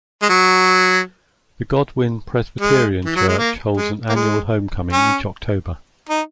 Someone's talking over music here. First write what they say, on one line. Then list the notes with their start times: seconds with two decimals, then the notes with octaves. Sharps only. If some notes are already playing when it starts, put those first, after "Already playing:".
The Godwin Presbyterian Church holds an annual homecoming each October.
0.22 G#3
0.29 F#3
2.61 G#3
3.05 E3
3.16 F#3
3.28 G#3
3.38 A#3
3.77 G#3
4.09 A#3
4.15 G#3
4.93 C#4
6.09 D#4